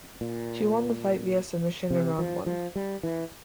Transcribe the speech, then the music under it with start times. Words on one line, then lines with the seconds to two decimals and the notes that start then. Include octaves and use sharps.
She won the fight via submission in round one.
0.21 A#2
1.90 C3
2.19 F3
2.46 F3
2.76 G3
3.03 E3